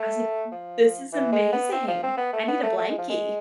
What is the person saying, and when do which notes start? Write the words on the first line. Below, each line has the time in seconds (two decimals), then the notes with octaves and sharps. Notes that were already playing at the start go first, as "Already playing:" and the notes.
I was like, mm, "This is amazing. I need a blankie."
Already playing: A3
0.52 F3
1.12 E3
1.32 G#3
1.52 B3
1.72 C4
1.88 F3
2.03 C4
2.17 B3
2.33 A3
2.48 B3
2.63 A3
2.78 A3
2.88 G#3
2.98 F3
3.09 G#3